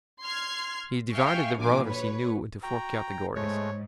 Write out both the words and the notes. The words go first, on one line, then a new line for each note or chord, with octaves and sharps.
He divided the Brothers he knew into four categories.
C6 F6 G#6 C7
E5 F5 G5 G#5 C#6
D2 A#2 F3 G#5 D6
B4 C#5
F#4 G5 A#5
G#2 G#3 A3 C#5